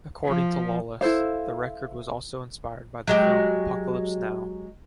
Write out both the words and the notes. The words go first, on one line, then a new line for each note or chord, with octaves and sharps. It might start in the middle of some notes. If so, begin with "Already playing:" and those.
According to Lawless the record was also inspired by the film "Apocalypse Now".
F3
E4 A4 C5 F5
F#3 G#3 G4